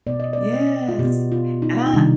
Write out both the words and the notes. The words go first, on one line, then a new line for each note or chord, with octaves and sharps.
Yes, and I
B2 B3 D5
D#5
D5
D#5
F4
B2 G4
B3
F4
D#4
D#4
C3 D#3 G3 D4